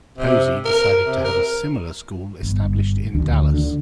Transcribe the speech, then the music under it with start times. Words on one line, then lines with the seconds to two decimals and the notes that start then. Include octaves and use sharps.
Posey decided to have a similar school established in Dallas.
0.18 C3
0.65 A#4
1.06 C3
1.25 A#4
2.43 G1
3.15 D2
3.54 D3